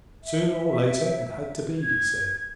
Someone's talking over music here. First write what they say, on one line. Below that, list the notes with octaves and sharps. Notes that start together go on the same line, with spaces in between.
"Sooner or later it had to be," he said.
E5
G#6